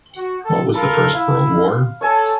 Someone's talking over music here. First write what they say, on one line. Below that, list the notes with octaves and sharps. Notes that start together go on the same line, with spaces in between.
What was the First World War?
F#4
A4
F4 A4 A#4 B5
E4 F5
A4 C#5 G#5 A5